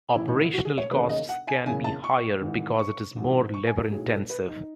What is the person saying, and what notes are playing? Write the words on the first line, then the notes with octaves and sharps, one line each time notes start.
Operational costs can be higher because it is more labor-intensive.
A1 A2 E3 E4
D#4
E4
F#4
G#4
C#5
E1 D#2 C#3 B4
D#5
F#5
G#5
F#1 E2 C#3 G#5
A5
C#6
G#1 G#2 E3
C#6
A1 G#2 F#3
C#6
G#5
A4
B1 A2 F#3 G#4
A4
B4
D#4